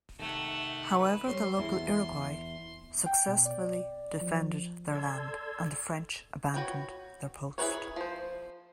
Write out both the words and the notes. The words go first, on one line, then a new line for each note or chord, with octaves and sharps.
However, the local Iroquois successfully defended their land and the French abandoned their post.
C3 D#3 A3 F#5
B4
G3 A#4 C#5 C6
E2 E4 G#4
G5
B2
D5
F3
A4 D5 A5 C6 E6 G#6
F#4 B4 C#5 G5
E4 G#4 A#4 B4 C#5
F3 C5